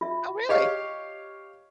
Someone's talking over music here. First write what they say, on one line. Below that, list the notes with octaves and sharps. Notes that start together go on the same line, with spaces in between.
Oh, really?
F4 E5
G4 C#5 D#5 F5